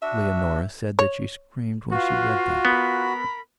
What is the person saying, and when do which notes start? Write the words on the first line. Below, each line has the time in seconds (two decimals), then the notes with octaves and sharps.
Leonora said that she screamed when she read that.
0.02 D4 F#4 E5
0.99 C#5
1.92 F4 F#4 B4 F5
2.65 B3 A#4 B5